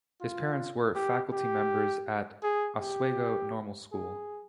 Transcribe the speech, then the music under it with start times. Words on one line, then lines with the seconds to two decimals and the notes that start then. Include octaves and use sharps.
His parents were faculty members at Oswego Normal School.
0.21 F4
0.96 G4
1.32 G4
2.43 G#4
2.81 G4
3.92 G#4